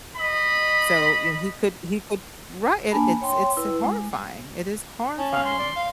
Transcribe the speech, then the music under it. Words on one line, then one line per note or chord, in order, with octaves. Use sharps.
So, you know, he could he could Right, it it's it's horrifying, it is horrifying
D#5 B5
A#3 D4 G#5 A5 B5
C#5 G5 C6
E4 B4
G#3
C#4 A5
F5
C6
D5
F5